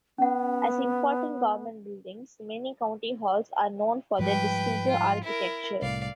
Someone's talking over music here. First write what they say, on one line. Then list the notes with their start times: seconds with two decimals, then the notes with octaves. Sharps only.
As important government buildings, many county halls are known for their distinctive architecture.
0.18 B3 C#4 F#5
4.19 G#2 F3 G3 B4 G5
4.89 F4
5.24 E4 A#4
5.82 C2 A2 D5 F5